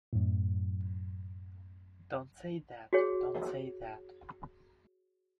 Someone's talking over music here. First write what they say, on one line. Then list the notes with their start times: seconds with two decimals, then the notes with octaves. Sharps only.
Don't say that, don't say that.
0.13 F#2 A2
2.93 F#4 G#4 C#5